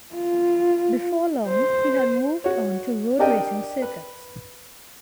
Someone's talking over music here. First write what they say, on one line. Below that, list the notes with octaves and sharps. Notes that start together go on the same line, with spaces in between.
Before long, he had moved on to road racing circuits.
F4
C5
F#4 C#5
D4 G4 A#4 D5 D#5 G5
B4